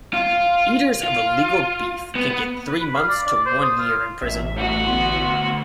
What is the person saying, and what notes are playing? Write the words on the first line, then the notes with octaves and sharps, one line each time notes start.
Eaters of illegal beef can get three months to one year in prison.
F4
F4
B3
B4
B5
F5
D5
D5
C5
D#6
F4
A1 E5
A3 B3 F#4
D2 B3 C6